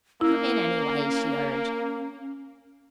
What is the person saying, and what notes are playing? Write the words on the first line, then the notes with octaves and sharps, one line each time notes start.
"Come in, anyway," she urged.
A#3 C#4 E4